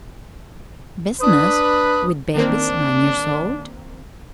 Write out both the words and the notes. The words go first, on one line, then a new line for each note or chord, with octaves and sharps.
"Business!--with babies nine years old!"
D4 B4 D#6
D#3 A#3 C4 D4